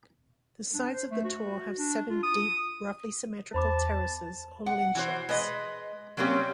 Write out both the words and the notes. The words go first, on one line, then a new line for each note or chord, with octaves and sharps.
The sides of the Tor have seven deep, roughly symmetrical terraces, or lynchets.
D4
C5
A3
F#4
D4
F4
D#6
E2 C5 A5 B5 D6
F#5
E3 F#4 C5
G#3 B4 D#5
F#3 G3 A#3 C4 C#4 G4